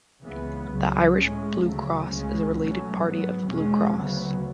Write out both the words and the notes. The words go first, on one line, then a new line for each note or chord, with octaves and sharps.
The Irish Blue Cross is a related party of Blue Cross.
C#2 C#3 E3 B3
C#2 C#3 F#3
A2 G#3 C#4
D2 C#3 F#3 A3
C#2 C#3 G#3 C#4
B2 F#3 A3 C#4
G#2 F#3 B3
E2 B2 G#3 C#4
D2 C#3 F#3 B3